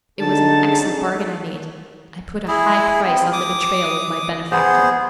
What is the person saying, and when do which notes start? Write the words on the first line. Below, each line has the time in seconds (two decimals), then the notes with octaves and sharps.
It was an excellent bargain I made--I put a high price on the betrayal of my benefactor!
0.20 D3 C#4 D#4 G#4 A5
2.48 E4 G#4
3.07 C4
3.33 D6 D#6
4.52 B3 G#4 C5